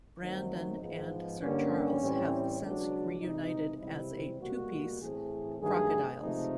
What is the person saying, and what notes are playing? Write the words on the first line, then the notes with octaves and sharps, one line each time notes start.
Brandon and Sir Charles have since reunited as a two-piece; Crocodiles.
F#2 D#3 F#3 A3 C4 D#4
G#2 F3 G#3 B3
G2 D3 G3 A#3 C#4
A2 E3 G3 C4
C#2 B2 F#3 D4
C#2 C3 E3 D#4
C#2 C3 E3 G3 C4 E4
C#2 B2 G3 A#3 F#4
A2 E3 A3 C4 G#4
G2 D#3 F#3 A3 G#4
C#2 C3 F3 A3 D#4